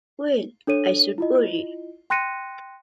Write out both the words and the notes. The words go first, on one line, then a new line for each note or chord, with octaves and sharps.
Well, I should worry!
D4 A4 C#5 D#7
E4 F4 D#5
G5 C6 F#6 A#6 C#7 D#7